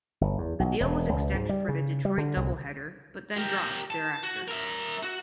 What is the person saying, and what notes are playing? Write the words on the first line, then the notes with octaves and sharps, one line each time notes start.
The deal was extended for the Detroit doubleheader but then dropped thereafter.
G1
E2
B1
E1
C#2
G#2
G3
C#3
G3
D3
C2
G4 A#4
A5
F#4
A#4 E5
F#4